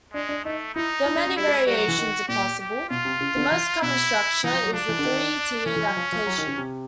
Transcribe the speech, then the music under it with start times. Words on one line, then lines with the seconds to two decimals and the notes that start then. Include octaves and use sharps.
Though many variations are possible, the most common structure is the three-tiered application.
0.14 G#3 D4
0.29 D4
0.44 A3 D#4
0.75 D#4 E4
1.05 E4
1.16 D4
1.27 C#4
1.36 G3 E4
1.47 G#3
1.67 G3 F#4
1.78 F#3
1.88 E3
1.98 D#3
2.29 A#2 G4
2.60 G4
2.90 B2 F4
3.05 C3
3.21 C#3
3.36 D3
3.51 E3
3.82 B2 E4
4.44 E3 D#4
4.53 F3
4.63 F#3
4.73 F3 D4
4.89 E3
4.99 D3
5.05 D#3
5.66 E3 C#4
5.76 E3
5.86 F#3
5.97 F3
6.12 F3
6.27 F#3
6.38 D#3
6.47 C#3
6.58 C3